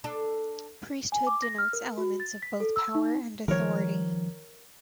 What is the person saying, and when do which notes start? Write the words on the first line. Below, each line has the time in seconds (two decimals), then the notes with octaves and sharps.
Priesthood denotes elements of both power and authority.
0.04 D4 A4
1.12 G#5
1.27 D6
1.42 A#6
1.58 F6
1.73 A#4
1.98 F#4
2.20 A6
2.42 B6
2.60 A4
2.76 E6
2.95 D#4
3.48 D#3 F3 G3 A#4 C#5